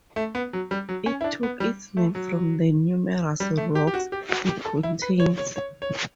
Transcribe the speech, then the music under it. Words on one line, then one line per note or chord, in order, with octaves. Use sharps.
It took its name from the numerous rocks it contains.
A3
B3
F#3
G3
F#3
C#4
E4
D4
B3
G3
A3
F#3
G3
A3
G4
G4
F#4
G4
F#4
G4
A4
E4
B4
C#5
C#5
C#5
C#5